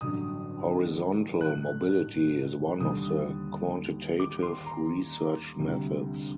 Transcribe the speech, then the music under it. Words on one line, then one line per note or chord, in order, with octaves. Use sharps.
Horizontal mobility is one of the quantitative research methods.
A1 G2 D3 F#3 D#6
F#6
D#2 D3 G3 D#6
D6
C6
A#5
D2 C3 G3